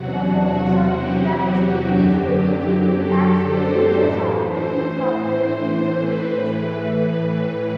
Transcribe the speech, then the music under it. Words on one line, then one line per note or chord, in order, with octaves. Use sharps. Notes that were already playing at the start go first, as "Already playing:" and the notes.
The focus of beta testing is reducing impacts to users, often incorporating usability testing.
Already playing: E2 C3 F#3 F#4
F#4
G4
F#2 D3 F#3
A4
C5
A2 E3
C5
C5
A2 E3 B4